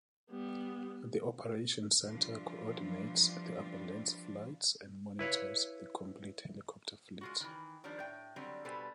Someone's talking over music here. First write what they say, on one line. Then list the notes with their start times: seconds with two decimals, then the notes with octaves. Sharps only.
The operation centre coordinates the ambulance flights and monitors the complete helicopter fleet.
0.31 G3 B3
2.05 E3 F3 G3 D4 F4
5.19 E4 B4 C#5 F5
7.21 G#3 F4 F#4
7.40 D#3 E3
7.84 D#3 F3 G3 D4
7.99 A2 G5
8.36 D3 F#3 G3 C4
8.65 B2 G3 A4 B4 C5 G#5